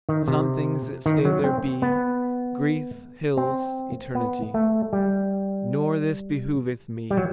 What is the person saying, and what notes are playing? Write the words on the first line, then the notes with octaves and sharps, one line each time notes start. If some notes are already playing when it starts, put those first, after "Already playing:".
Some things that stay there be, -- Grief, hills, eternity: Nor this behooveth me.
D#3
C3
D#3
F#3
C4
B3
C4
B3
A3
G3
G3
F#3